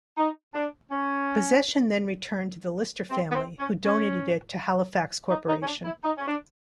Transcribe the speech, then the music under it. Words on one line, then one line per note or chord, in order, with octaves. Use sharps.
Possession then returned to the Lister family, who donated it to Halifax Corporation.
D#4
D4
C#4
C4
B3
C4
C#4
C#4
D#4
D#4
C#4
D4
E4
D#4
C#4
D4